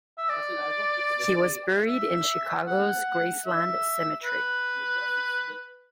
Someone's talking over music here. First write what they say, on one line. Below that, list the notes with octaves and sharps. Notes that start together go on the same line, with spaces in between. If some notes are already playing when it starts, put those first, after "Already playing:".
He was buried in Chicago's Graceland Cemetery.
E5
D5
E5
F#5
E5
B4